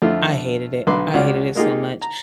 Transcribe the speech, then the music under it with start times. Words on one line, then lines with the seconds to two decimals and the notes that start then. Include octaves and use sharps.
I hated it, I hated it so much.
0.02 F2 D3 A3 E4 F4
0.87 B1 D3 D#4 B4 C6 D6
1.14 C#2 C#4 F4 F#4 D5
1.55 G#3 A#3 D#4 F4 G4 G#4
2.02 A#5